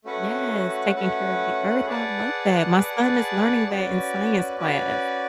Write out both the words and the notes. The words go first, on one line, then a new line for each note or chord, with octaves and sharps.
Yes, taking care of the earth, I love that, my son is learning that in science class.
A3 C#4 F#4 B4 F#5
A3 C#4 F#4 B4 F#5
G#4 B4 D5 F#5 A5
G#4 B4 D5 F#5 A5
C#4 F#4 B4 D5
C#4 F#4 B4 D5